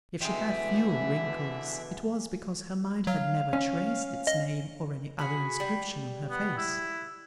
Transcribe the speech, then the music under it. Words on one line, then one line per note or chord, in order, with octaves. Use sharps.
If she had few wrinkles, it was because her mind had never traced its name or any other inscription on her face.
B2 D3 E3 G#3 E5 G5 C6
F#3 F5
C#4
D#5
F#4 G#4 B5
G3
B3
E4